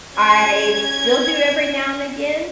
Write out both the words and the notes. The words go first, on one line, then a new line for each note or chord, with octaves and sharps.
I still do every now and again,
C#4 G#6